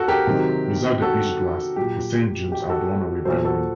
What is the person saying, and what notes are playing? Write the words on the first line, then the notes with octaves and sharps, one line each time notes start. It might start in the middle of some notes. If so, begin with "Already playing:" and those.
Without the beachgrass, the sand dunes are blown away by wind.
Already playing: F#4 A4
G4 A#4
C3 D#3 F#3
F#4 A4
A#2 F#3 G4
G4
F#4 A4
A#2 F#3 A4 C5
F#4 A4